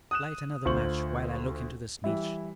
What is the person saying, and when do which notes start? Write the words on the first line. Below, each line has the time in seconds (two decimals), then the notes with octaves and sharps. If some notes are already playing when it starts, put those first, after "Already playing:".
Light another match while I look into this niche.
0.11 D#6 F#6 E7
0.65 D2 F4 C5 C6 C#6 F#7
2.04 E3 G3 E4